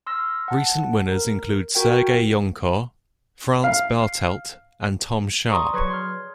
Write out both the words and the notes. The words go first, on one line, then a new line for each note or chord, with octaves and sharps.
Recent winners include Serge Joncour, Franz Bartelt and Tom Sharpe.
C6 E6 F6 A#6
F#5 A5
A#4
F#4 A#4 G5
F5
G#4 D5 A#5 C6 C#6 D#6
F#3 B4 C#6 G#6 C7 C#7
C6 F6